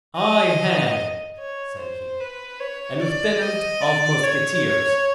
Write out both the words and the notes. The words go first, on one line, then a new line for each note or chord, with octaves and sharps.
"I had," said he, "a lieutenant of musketeers!"
D#5
C#5
C5
B4
C#5
D5
D#5
D5
C#5